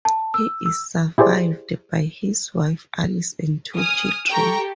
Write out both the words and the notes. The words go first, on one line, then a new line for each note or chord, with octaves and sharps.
He is survived by his wife, Alice and two children.
A5
E6
E6
E4 G4 G#4 C5 D5
G#5 D#6 F6
G4 A4 G5 A#5 C#6